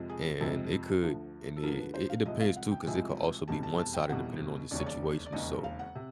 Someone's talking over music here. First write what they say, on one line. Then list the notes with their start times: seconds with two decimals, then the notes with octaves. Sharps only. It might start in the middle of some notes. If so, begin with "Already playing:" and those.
and it could and it it depends too, 'cause it could also be one-sided depending on the situation, so,
Already playing: F2 C3 F3 G#3
0.09 G#4
0.41 F2 C3 F3 G#3
1.02 D2 D3 F3
1.56 A4
1.63 D2 D3 F3 A#4
1.80 B4
1.94 C5
2.09 F5
2.25 C2 C3 F3 G#3 D#5
2.41 F5
2.56 F#5
2.71 G5
2.87 C2 C3 F3 G#3 G#5
3.48 F1 E2 B2 G3 A5
3.63 A5
3.79 A5
3.94 G5
4.09 F1 E2 B2 G3 F#5
4.71 E1 D#2 C#3 D5
4.80 C#5
4.86 D5
5.26 D5
5.33 E1 D#2 C#3 D#5
5.64 F5
5.79 F#5
5.95 C3